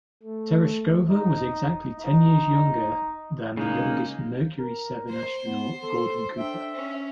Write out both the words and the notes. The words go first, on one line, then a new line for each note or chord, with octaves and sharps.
Tereshkova was exactly ten years younger than the youngest Mercury Seven astronaut, Gordon Cooper.
A3
D#4
D#4
C#3 G#3 A#3 D#4
A#4
C5
B3
A4 C6
D4 E5 G5
C#4